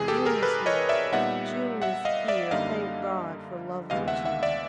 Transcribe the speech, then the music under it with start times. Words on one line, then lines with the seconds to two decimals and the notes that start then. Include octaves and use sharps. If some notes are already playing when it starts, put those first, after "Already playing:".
June is here--June is here; thank God for lovely June!
Already playing: E2 C3 E3 G#3 G#4
0.08 G4 A4
0.25 G#4 A#4
0.43 A4 B4
0.66 C#5 D#5
0.89 D5 E5
1.12 A#2 G3 B3 D#4 E5 F#5
1.82 E5 F#5
2.05 D#5 F5
2.28 D5 E5
2.51 F#2 D3 G3 A#3 D#4 D#5 F5
3.90 D2 C3 E3 G#3 B3 D#5 F5
4.08 E5 F#5
4.25 E5 F#5
4.43 D5 E5